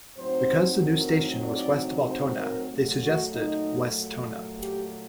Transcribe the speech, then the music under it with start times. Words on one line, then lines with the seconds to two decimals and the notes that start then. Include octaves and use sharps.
Because the new station was west of Altona, they suggested Westona.
0.17 A2 F#3 C4 D#4 C5
0.80 A#4
1.44 D5
2.08 C5
2.39 A#4
2.71 A#2 F#3 A3
3.03 F#4
3.34 D#4
4.60 G4